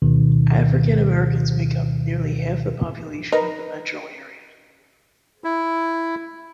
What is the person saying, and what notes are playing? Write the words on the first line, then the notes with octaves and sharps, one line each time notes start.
African-Americans make up nearly half the population of the metro area.
D2 B2 D#3
D#4 A#4 B4 A#5
E4